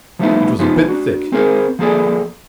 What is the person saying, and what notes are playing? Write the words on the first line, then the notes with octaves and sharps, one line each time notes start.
It was a bit thick.'
F3 G3 A3 B3 D#4 E4
F3 B3 D#4 F4 G4
D4 F#4
C4 G#4 A#4 C5
F3 A#3 G#4 A4 D5